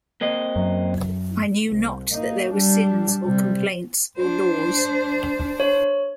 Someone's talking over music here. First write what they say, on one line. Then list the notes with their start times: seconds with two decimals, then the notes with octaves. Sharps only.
I knew not that there were sins or complaints or laws.
0.21 A#3 C4 D#5
0.56 F#2
1.69 C2
2.12 A#3 D#4
2.53 G3 D4
3.25 C3 G3
4.18 D4 C5
5.60 C#5